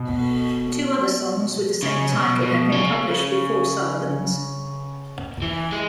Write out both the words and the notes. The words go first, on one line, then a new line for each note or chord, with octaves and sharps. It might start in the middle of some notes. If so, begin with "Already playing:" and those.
Two other songs with the same title had been published before Sullivan's.
Already playing: B2
C#3
B2
B2
C#3
E3
G#3